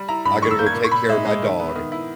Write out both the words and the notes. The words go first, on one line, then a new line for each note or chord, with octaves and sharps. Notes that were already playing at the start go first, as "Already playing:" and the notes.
I gotta go take care of my dog
Already playing: G3
E4 A#5
G2 B5
D#3 C#6
E6
A#3 G6
G#6
A#2
C#6
A#2 B5
G#3 E5
G#3
D#3
B3
D#3
E4